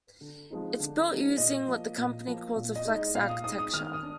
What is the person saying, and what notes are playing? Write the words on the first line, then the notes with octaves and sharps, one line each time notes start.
It's built using what the company calls a "Flex architecture".
D3
F3 G#3 C4 D#4
D3
F3 G#3 C4 D#4
A#2 D#5
F3 A#3
A#2
F3 A#3
A#2
D#5
G#3 D#4
D#5
A#2 F5
D#6
G#3 D#4 D#6
D#6
D#3 F6
D#6
D4